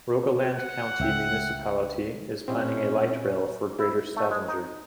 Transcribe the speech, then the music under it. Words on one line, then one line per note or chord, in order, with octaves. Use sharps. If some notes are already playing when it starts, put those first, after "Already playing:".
Rogaland County Municipality is planning a light rail for Greater Stavanger.
F#5
C#2 E5 G5
A#2 C4 C#4 E4 G4 D#5
E4
A3
G#3
D#4